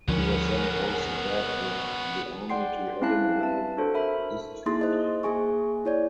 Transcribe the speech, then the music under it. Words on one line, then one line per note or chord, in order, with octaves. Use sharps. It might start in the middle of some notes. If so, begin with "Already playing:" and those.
He was then posted back with the army to Edinburgh district.
D2 D3 F3 B3 C#4 A#4
D5 F#5 G5 C6 C7
C4 C#4 E4 F5 A5 F#6
E5 A5
D4 F#4 A4 C5
A#4 E5 B5
A#3 D#4 E4 G#4 C6 A6
C5 D#5
A#3 G#4 G#5 C#6
E4 C#5 D5